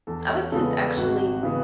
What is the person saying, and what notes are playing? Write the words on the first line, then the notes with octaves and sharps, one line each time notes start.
I like to actually
E2 A4
C#5
C#3 G#3 B3 A4
A4
G#1 F#4
C#3 E3 B3